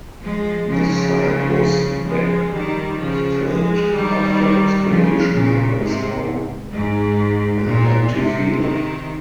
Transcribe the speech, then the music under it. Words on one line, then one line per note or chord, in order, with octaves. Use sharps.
The site was backfilled after excavation and is now an empty field.
F3 G#3
C#3 F3
F3 G#3
D#3 G3
C#3 F3
F3 G#3
D#3 G3
C#3 F3
A#2 C#3
G#2 C3
G#2
A#2
G#2 C3
C3 D#3